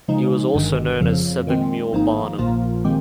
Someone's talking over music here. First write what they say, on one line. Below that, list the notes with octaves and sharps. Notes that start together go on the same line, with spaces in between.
He was also known as Seven Mule Barnum.
C#3 F3 G#3 D#4
G1 G2 D#3 G#3
F2 C#3 F3
D#3 G#3 C4
G#1 G#2 F3 A#3 D#4
A#1 A#2 F3 A#3 F4
D#3 G#3 C4 G4